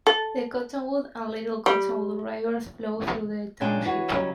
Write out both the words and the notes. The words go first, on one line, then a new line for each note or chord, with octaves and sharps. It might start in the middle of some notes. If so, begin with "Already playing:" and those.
The Cottonwood and Little Cottonwood Rivers flow through the township.
A4
G3
A#2 C#3 G#3 D4 G5 G#5
E3 F#4 G#4 C#5
C#3 F#3 G3 C#4 D#4